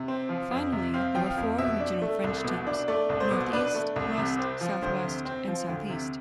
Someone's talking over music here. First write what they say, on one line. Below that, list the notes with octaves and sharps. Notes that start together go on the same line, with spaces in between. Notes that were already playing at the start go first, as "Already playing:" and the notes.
Finally, there were four regional French teams: North-East, West, South-West and South-East.
Already playing: C3
C4
F3
F2
C3
C4 F5
F3 G5
F5
F2
B2 E5
D4
A3
C2
B2
D4
A3 D5
C2
C5
B2
D4 B4
A3
C2
C3
C4
F3
D2 C5
C3
C4
F3
D2
C3